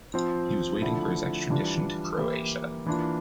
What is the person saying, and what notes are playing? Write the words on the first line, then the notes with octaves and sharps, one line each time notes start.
He’s waiting for his extradition to Croatia.
F3 C4 F4
D3 F3 A3 E4
E3 G3 D4 F4
E3 A#3 E4 G4
E3 A#3 D4 F4